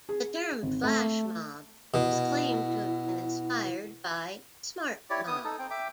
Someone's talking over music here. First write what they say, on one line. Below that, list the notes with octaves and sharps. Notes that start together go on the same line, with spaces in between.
The term "flash mob" is claimed to have been inspired by "smart mob".
G#4
G#1
A3
B2 E4
E4 G4 C#5 D5
B3 D#6
D#4 A4
C4 G5
E5 G5 D6